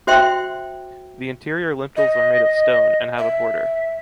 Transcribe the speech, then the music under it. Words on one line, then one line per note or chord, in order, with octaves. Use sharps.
The interior lintels are made of stone, and have a border.
F#4 C5 E5 G5 C6
D#5
E5